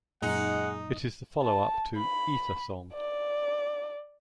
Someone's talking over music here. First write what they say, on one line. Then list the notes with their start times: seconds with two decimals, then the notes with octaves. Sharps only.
It is the follow-up to "Ether Song".
0.22 F#2 A#2 G#3 D#4 F#5
1.43 A5
1.96 B5
2.93 D5